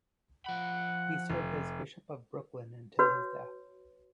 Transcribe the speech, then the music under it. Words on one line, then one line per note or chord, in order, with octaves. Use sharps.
He served as Bishop of Brooklyn until his death.
F3 F#5 B5
F1
F#4 B4 C#5